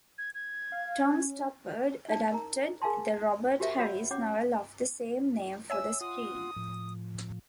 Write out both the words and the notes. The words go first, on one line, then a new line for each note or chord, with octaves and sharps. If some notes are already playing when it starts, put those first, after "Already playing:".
Tom Stoppard adapted the Robert Harris novel of the same name for the screen.
G#6
G#6
F5
C#4
D#4 D5 F5 A5
A#4 A#5
G#4 A#4 F5 G#5 A5 C6
F#4 G4 A#4 C5 E5 F5
F#4 C#5 F5 F#5 B5 E6
C#4 C#5 F#5 D6
C#5 E5 G#5 E6
F4 F#5 C6 D#6
A2 F3